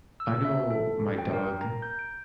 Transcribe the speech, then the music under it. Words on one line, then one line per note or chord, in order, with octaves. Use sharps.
I know my dog,
E6
E5
A4
G5
A#4
A#5
G6
D7